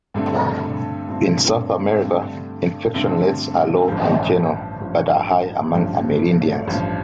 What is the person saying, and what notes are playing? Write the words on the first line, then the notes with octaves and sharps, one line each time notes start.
In South America, infection rates are low in general but are high among Amerindians.
G2 D3 A3 C4
G2 D3 A3 C4
G2 D3 A3 C4
G2 D3 A3 C4
A1 G2 F3
A1 G2 F3
A1 G2 F3
A1 G2 F3